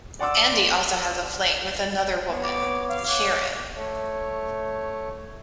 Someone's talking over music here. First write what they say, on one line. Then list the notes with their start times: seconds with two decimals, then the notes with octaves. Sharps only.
Andy also has a fling with another woman, Keiran.
0.19 D5 F#5 C6 D6 E6
1.97 G5
2.30 B3 C#5
2.43 D6
2.89 F5
3.08 C#5 F#5 D6
3.76 A3 C#5